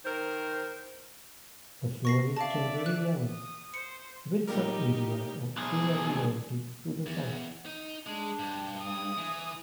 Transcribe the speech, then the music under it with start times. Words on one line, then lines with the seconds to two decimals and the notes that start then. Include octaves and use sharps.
The floor is generally level, with some areas of irregularity to the south.
0.05 D#3 A#4 C5
2.05 C#6 A#6 C7
2.36 D5 E5 F5 A5
2.86 F#6
3.28 D#6
3.74 C5 C#7
4.47 A#2 G3 D#4 G4 A#4
5.56 B1 G#4
7.06 E2
7.66 D#4
8.06 G#3 D4
8.39 G2
8.79 D#6
9.18 E3